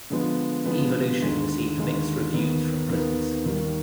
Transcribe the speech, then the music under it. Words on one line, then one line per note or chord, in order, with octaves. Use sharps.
"Evolution" received mixed reviews from critics.
D3 F3 G#3 B3
D3 F3 G#3 B3
D#2 D3 G#3
D#2 D3 G#3
D#2 D#3 B3
D#2 D#3 B3
D#2 D#3 G3